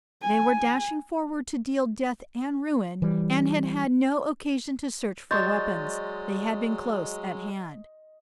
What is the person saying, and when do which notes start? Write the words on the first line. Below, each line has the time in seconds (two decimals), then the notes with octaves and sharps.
They were dashing forward to deal death and ruin and had had no occasion to search for weapons--they had been close at hand.
0.22 G#5
3.02 E3 G3
5.31 F#3 G#3 D5 D#5 C6 C#6 G6 A6